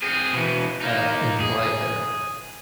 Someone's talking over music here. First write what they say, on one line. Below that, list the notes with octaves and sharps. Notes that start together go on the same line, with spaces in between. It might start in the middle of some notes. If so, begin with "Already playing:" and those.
uh, in play there.
C4 G#4
B2 E3
A#3 D#4
G#4